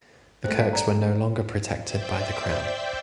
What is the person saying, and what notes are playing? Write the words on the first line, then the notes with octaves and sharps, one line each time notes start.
The Kirkes were no longer protected by the crown.
G2 A3 C5
F5
D5 A#5
C5 D5 E5 G5 G6